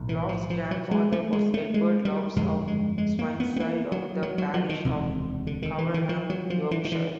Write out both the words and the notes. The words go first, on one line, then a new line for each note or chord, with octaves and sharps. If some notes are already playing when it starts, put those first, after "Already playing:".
Loftus's grandfather was Edward Loftus of Swineside, of the parish of Coverham, Yorkshire.
Already playing: B1 A2
E3
F3
F3
F#3
G#3
A3
G#3
A3
G#3
G3
G1 F2 D3 G#3
G#3
G#3
A#3
B3
B3
A#3
F#3
F#3
F#3
F3
D#3
E1 D2 C3
D3
D#3
E3
E3
F3
F#3
F3
E3
D#3
E3